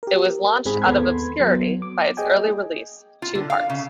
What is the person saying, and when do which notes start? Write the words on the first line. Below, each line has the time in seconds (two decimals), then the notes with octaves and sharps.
It was launched out of obscurity by its early release "To Heart".
0.03 G4 A#4
0.65 G#2 C4 G#4 B5
0.82 D#2 B3 A4 B5 C6 G#6
1.40 F#3 B3
1.82 D6
2.17 G#4 D#5 G5 G#5
3.22 F4
3.35 D3
3.50 F5
3.70 C#3